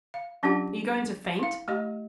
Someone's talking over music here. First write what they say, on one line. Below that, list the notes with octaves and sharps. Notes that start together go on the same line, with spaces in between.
Are you going to faint?
F5
F#3 C#4 D4 F4 G4 F#5
E4 F5
A3 G4 D#5